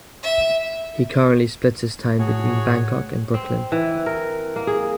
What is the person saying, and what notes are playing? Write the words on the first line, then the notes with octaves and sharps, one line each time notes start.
He currently splits his time between Bangkok and Brooklyn.
E5
A2 F#4 G#4 C#5
C4
E3
A#4
A#3
G#4